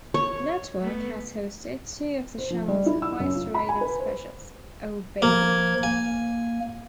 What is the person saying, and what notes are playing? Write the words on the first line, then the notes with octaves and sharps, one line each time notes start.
Network, has hosted two of the channel's highest-rated specials: Oh Baby!
C#5
A3 B3
C5
F3
G3
E4
E6
F#2
F4
B5
G#5
B4
C5
F3 A#3 G#6
A#3 G#5